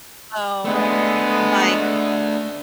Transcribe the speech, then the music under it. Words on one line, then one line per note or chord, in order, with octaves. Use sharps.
Oh, my
G#3 A3 B3 D4